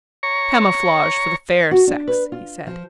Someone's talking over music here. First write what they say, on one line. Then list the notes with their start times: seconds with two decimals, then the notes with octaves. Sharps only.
"Camouflage for the fair sex," he said.
0.23 C#5 A#5 C#6
1.71 F#4
1.87 D4
2.08 B4
2.32 F4
2.67 F3